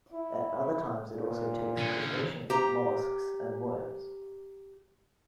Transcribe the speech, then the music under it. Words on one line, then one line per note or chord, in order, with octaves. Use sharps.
At other times it also takes crustaceans, molluscs and worms.
E4
A#2
D3 C#4
G4 A#5